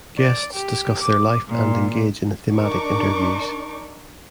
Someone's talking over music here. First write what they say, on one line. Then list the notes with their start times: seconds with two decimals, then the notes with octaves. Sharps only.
Guests discuss their life and engage in thematic interviews.
0.18 D5
0.52 G4
1.01 D6
1.49 A#2
2.54 D4 D#4 A#4 C#6 D6